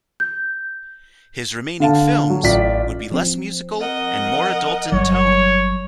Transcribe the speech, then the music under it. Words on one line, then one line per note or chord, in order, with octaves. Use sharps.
His remaining films would be less musical and more adult in tone.
G6
D3 F5 A5
F#3
A1 F4 D5 B6
F3 C4
A#4 D#5 F#5
G1 F#3 G3 C#5